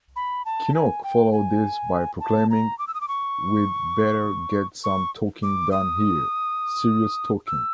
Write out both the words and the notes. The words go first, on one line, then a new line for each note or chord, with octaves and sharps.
Kinnock followed this by proclaiming We'd better get some talking done here, serious talking.
B5
A5
G#5
G5
G#5
A5
A#5
D6
E6
D#6
D6
C#6
C#6
D6
D#6
E6